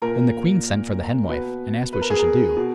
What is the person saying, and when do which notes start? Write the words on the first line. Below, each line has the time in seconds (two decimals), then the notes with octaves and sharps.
Then the queen sent for the Hen-Wife, and asked what she should do.
0.02 A#2 A#4
1.29 B2 B4
1.93 B4
2.02 A#4
2.10 G#4
2.19 A#4
2.57 B2